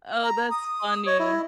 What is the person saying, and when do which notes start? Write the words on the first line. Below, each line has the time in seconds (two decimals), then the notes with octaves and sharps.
Oh, that's funny.
0.23 A#5
0.50 D#6
1.06 C#5 D#5
1.19 E4